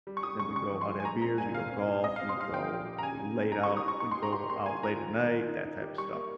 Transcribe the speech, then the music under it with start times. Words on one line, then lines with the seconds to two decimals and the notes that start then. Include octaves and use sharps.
then we go out, have beers, we go golf, we go late out and go out late at night, that type of stuff.
0.07 G3
0.17 C#6
0.23 G4 D#6
0.39 C#3 C#6
0.56 G#3 C#6
0.73 F3
0.81 C6
0.90 G#3
1.00 G#5
1.05 G#3 A#5
1.22 C4 A#5
1.38 A#2 G#5
1.55 C4 F5
1.71 C4
1.88 D#4
2.04 C4 D#5
2.16 C4 F5
2.29 C6
2.37 G4 F5
2.53 F3 G5
2.70 A#2
2.86 G4
2.98 A#5
3.02 C#3 G#5
3.19 C#3
3.36 C4
3.52 D#4 A#5
3.63 G3 C#6
3.77 D#6
3.85 D#4 C#6
4.00 D#4 C#6
4.11 C6
4.17 G4
4.23 A#5
4.32 G4 C6
4.50 A#3 C6
4.66 A#3 G#5
4.83 F4 A#5
5.00 D#3
5.16 D#3
5.32 F4
5.49 D#4
5.65 D#4
5.82 G4
5.98 G3 C#6
6.14 A#3